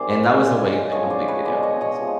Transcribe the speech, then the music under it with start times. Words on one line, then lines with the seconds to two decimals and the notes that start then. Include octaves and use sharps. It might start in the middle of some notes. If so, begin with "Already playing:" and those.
and that was a way to complete video games,
Already playing: C3 D#3 G#3 C5 D5
0.39 C#3 E3 G#3
0.92 D3 F3 G#3 C#5 D#5
1.10 C5 D5
1.28 B4 C#5
1.45 B2 G#3 C5 D5
1.63 C#5 D#5
1.81 C#5 D#5
1.99 C3 F3 G#3